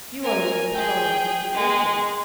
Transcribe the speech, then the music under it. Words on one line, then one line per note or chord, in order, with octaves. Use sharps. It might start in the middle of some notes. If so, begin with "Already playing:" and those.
"You are in the power of Mr. Waters."
A#4 G#5
G#4 G5
G#3